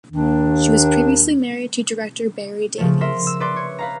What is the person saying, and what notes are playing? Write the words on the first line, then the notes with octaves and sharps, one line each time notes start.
She was previously married to director Barry Davies.
D#2 D#3 D4
C#3 F3 A3
A#4 E5 C6
E6
B4 D5 C6 D6
C#5
B4 F5 A#5